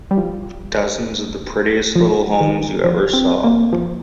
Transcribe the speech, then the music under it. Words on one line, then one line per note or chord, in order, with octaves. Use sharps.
Dozens of the prettiest little homes you ever saw.
G3
F3
F3
D#3
F3
C4
A#3
F3